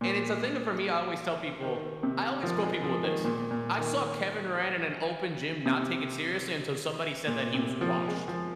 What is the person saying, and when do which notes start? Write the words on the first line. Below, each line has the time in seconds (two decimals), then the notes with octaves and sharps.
And it's a thing uh, for me I always tell people I always quote people with this, "I saw Kevin Durant in an open gym not take it seriously until somebody said that he was washed."
0.01 A#2
1.62 D#3
2.03 C3
2.43 F3
2.63 G#3
2.84 F3
3.04 D#3
3.24 A#2
3.51 A#2
3.78 D#3
5.66 C3
7.27 A#2
7.54 C3
7.81 F3
8.08 G#3
8.28 F3